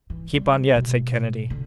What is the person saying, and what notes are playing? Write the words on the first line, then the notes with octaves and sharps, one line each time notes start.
"Keep on yet," said Kennedy.
E3
G3
B2 A3
D3